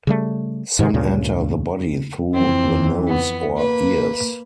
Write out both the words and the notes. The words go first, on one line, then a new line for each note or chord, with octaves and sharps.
Some enter the body through the nose or ears.
C#3 G3 A3
G#2 C3 D#3 G#3
D2 G2 A#2 C#3
F2 E3 C4
B3
A#3 B4